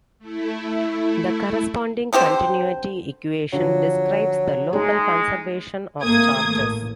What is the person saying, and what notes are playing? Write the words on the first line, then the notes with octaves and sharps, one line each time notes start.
The corresponding continuity equation describes the local conservation of charges.
A3 E4
D3 C4 G4 C5
D3 F3 F#3
G#3 A3 D#4 G#4
G#1 A3 A#3 D#6 G#6
A1